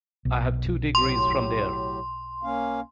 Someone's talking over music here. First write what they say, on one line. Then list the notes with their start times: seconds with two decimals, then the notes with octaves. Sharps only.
I have two degrees from there.
0.25 B1
0.95 A2 F#3 G4 C6
2.43 A#3 C#4 F5